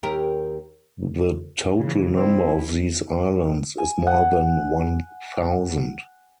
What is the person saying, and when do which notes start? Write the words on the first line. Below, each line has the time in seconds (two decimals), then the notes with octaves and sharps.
The total number of these islands is more than one thousand.
0.03 D#2 G4 A#4
1.79 C#3 E3
2.17 C4 E4
3.78 G#5
4.07 F#5